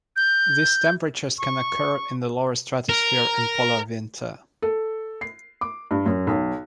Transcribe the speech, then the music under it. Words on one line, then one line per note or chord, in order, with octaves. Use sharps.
These temperatures can occur in the lower stratosphere in polar winter.
G6
C#6
A#4
A4
C7
D6
G2
F#2
B1